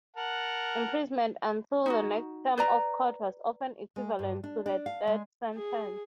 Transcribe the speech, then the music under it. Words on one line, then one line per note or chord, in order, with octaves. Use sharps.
Imprisonment until the next term of court was often equivalent to a death sentence.
A#4 F#5 A5
D#4 E4 F#4
B4 D5 A#5
G#3
G2
D4
D4
F5
G#3
G#4